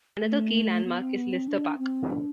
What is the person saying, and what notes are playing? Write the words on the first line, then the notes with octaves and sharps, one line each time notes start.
Another key landmark is Lister Park.
A3
B3
C4
B3
C4
D4
C4
D4